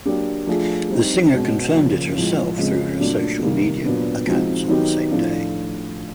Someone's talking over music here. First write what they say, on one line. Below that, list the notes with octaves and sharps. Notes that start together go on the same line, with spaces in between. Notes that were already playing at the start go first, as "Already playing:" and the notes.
The singer confirmed it herself through her social media accounts on the same day.
F#3 A#3 D4 G4
F3 A3 D4 F4 G#4
G3 C4 D#4
B2 G#3 C#4
C#3 F3 A#3
A2 F3 G#3
C#3 F3 G#3 C4
A#2 F#3 A3 D4
C3 D#3 G3 A#3
A#2 F#3 B3 D4
F3 G#3 C4 D#4 F#4
D#3 F#3 B3 D#4 G4
A2 F3 A3 D4 F4